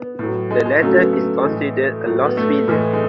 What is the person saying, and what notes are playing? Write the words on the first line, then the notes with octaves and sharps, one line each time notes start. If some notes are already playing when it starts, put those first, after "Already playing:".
The latter is considered a lost film.
Already playing: B3
A2 F#3
G#3
G#3
C#3 F#3 A3
B3
A3
A2 E3 G#3
A2 F#3
B3
A3
A2 E3 G#3
G#3